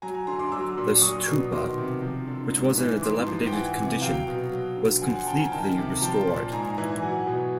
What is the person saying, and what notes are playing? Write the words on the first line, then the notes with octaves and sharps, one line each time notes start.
The stupa which was in a dilapidated condition was completely restored.
F#3 G#5 A#5
G#5 A#5
D3 A#5 C6
C6 D6
F#3 D6 E6
A#2
F#3 C#6 D#6
B2
D#3 C6 D6
C3
F3
D3
G#2
E3
G#2 C6 D6
F3
G5
E3 F#5 G#5
C3
F#3 F5 G5
B2
F#3
D3
F3 F#5 G#5
F#5 G#5
C#3 G5 A5
G#5 A#5
D#3 G5 A5
C3
A#5
F3 G5 A5
A#2
G#2 G#5 A#5
E3 G#5 A#5
F#3 F#5 G#5
B2